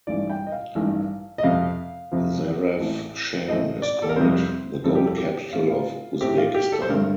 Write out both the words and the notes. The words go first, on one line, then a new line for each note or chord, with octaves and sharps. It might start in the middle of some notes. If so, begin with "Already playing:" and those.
Zarafshan is called "the gold capital of Uzbekistan".
A1 G2 D#3 D5
G5
D#5
F5
A1 G2 D#3
D#5
F2 C3 F3 F5
F2 C3 F3
A1 A2 A3 C4
A1 A2 A3 C4 D#5
D5
A4
A#4
F2 C3 G3 C4 C5
F2 C3 G3 C4 A4
G4
A4
G4
A2 A3 C4 F4
F4
A2 A3 C4 G4
F4
G4
A4
C5
G2 D3 A3 C4 A#4